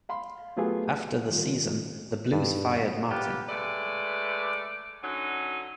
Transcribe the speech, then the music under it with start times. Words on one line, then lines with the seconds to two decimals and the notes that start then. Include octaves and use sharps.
After the season, the Blues fired Martin.
0.09 F5 B5 C6
0.56 F#3 A3 B3 F4 G4 G#4
1.30 D#3 G3 F4
2.33 G2
3.10 B3 F4 G4
3.49 G#3 A3 B4 D5
5.03 D3 F#3 C#4 D#4